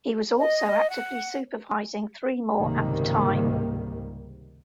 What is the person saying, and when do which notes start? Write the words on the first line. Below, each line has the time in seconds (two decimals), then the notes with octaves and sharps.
He was also actively supervising three more at the time.
0.39 D#5
0.91 F#5
2.56 C#2 G#2 C3 D#3 G3 A#3